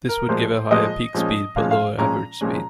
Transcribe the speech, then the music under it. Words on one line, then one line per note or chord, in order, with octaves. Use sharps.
This would give a higher peak speed but a lower average speed.
A#4
A#2 F3 G#3 C5
A#2 F3 G#3 D#5
A#2 F3 G#3 C#4
A#2 F3 G#3 C#4 F5
F5
A#2 F3 G#3 C#4 A#5
A#2 F3 G#3 C#4